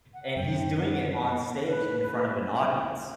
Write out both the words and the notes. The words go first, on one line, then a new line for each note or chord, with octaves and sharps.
and he's doing it on stage in front of an audience.
F#5
F#2 G5
F#5
D#5
B4